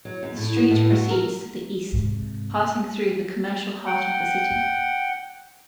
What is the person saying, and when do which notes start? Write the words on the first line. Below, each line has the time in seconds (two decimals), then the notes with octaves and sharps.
The street proceeds to the east, passing through the commercial heart of the city.
0.05 F#3
0.23 F#2
0.37 A2
0.56 B3
0.71 A2
0.91 F#4
1.10 A#4
1.93 G#2 C3
3.86 F#5 G5